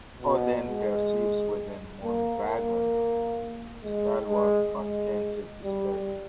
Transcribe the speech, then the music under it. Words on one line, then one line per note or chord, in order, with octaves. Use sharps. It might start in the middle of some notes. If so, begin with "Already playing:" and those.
Odin perceives within Moondragon a stalwart but tainted spirit.
B2
G#3
A#3
A#3
G#3
G#3
G#3
G3